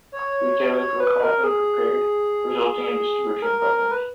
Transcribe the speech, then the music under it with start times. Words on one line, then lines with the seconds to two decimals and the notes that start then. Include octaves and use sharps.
Retailers were caught unprepared, resulting in distribution problems.
0.12 C#5
0.78 C#5
1.00 B4
1.23 A#4
1.44 G#4
3.42 A#4
3.59 A#4
3.75 A#4
3.91 B4